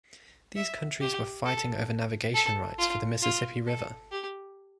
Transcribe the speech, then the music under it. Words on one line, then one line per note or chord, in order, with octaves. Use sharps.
These countries were fighting over navigation rights for the Mississippi River.
E5
G4
A4
A4
F4
F4
A4
G4